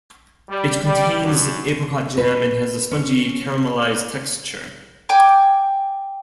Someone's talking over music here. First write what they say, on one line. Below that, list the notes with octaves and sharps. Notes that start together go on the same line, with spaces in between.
It contains apricot jam and has a spongy caramelized texture.
G3
G3
F#2
B4
C#4
G5 G#5 D6